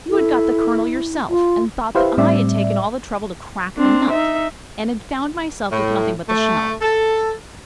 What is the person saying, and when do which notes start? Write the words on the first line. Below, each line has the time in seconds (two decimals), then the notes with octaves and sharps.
You had got the kernel yourself, and thought that I had taken all the trouble to crack the nut and had found myself with nothing but the shell.
0.10 E4 A4
1.30 F4
1.95 E4 G4 B4 C5 E5 F5
2.17 A2 G3 C4 D5 E5
3.78 C4 D4
4.11 D#4 E5
5.72 A2
6.29 A3
6.82 A4